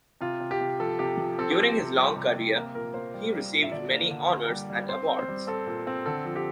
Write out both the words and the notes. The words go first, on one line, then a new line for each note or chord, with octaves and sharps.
During his long career, he received many honours and awards.
C3 F4
C3
G4
C3
F3 A4
C3 G4
F3
C4 A4
G4
C4
A4
C3
G3
C3
C3
A#3 A#4
A#2 A#4
A#3 C5
G3
G3
A#2
E5
D3 D5
A#3
D3
A#3
G3
G3
C4 C5
C4
C5
G3
C4 A4
A#2
C4
D3 A4
F3
G4